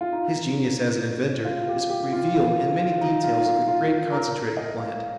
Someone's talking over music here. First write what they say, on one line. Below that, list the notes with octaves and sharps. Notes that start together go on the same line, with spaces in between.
His genius as an inventor is revealed in many details of the great concentrating plant....
F4
D#4
F4
G4
G4
F4
F4
D#4
F4
F4
F4
A#4
A#4
D#5
F5